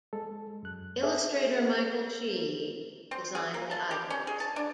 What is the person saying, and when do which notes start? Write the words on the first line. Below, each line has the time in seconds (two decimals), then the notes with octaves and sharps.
Illustrator Michael Sheehy designed the idents.
0.13 G#3 A4
0.63 F#2 F#6
1.03 G#4 A4 E5
3.11 C4
3.35 G#4
3.54 A#3
3.71 A5
3.91 G4
4.10 C#4
4.27 G#4
4.40 A5
4.56 D4